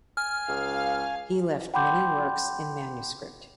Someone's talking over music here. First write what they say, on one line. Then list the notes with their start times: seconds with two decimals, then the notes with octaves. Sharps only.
He left many works in manuscript.
0.17 G#5 F6
0.49 C#2 F5
1.74 F#5 G5 B5 C6 D6 G6